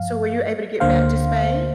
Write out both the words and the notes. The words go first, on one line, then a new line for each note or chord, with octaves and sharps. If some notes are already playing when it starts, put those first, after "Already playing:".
So were you able to get back to Spain?
Already playing: G2 F3 F5
D2 D3 A#3 C5 F5